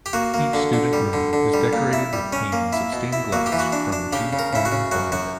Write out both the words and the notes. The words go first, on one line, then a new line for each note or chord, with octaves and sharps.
Each student room is decorated with panes of stained glass from G. Owen Bonawit.
G4
A#3 F#4
A#3
D3
D3
G3
D3
D3
G3
A#2
E4
G3
C#4
A#3
E4
B2
E4
A#3 F#4
G4
E3
F#4
D4
D4
C#3 G4
C#3
A#4
C#3 E4
F#4
C#3
F#2 F#4
F#2 F#4